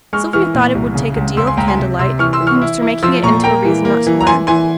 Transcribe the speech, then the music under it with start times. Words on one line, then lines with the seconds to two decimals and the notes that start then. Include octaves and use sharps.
'Sylvia thought it would take a deal of candlelight, and was for making it into a reason not to learn.
0.13 G#3 C#6 F6
0.33 E3 C#6 F6
0.54 A#2
0.75 C2
0.95 C#3
1.16 C#2
1.37 C#2 C6 E6
1.47 G#5 C6
1.57 C#2 G5 A#5
1.68 G#5 C6
1.78 C3
1.99 C3 C6 E6
2.19 E3 C#6 F6
2.33 C6 E6
2.41 E3
2.47 C#6 F6
2.62 E4
2.82 E4
3.03 F3 C6 E6
3.23 A#2 A#5 C#6
3.44 A#3 G5 A#5
3.65 E3
3.85 A#3
4.07 E3
4.21 A#5
4.27 E3 G#5 C6
4.47 E3 G#5 C6